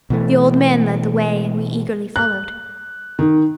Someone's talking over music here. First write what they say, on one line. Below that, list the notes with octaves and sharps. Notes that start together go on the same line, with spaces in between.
The old man led the way, and we eagerly followed.
B2 E3 A3
F#6
D#3